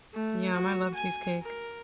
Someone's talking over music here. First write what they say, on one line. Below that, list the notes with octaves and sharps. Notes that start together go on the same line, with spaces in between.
Yum, I love cheesecake.
A3
F#4
G#5
A#4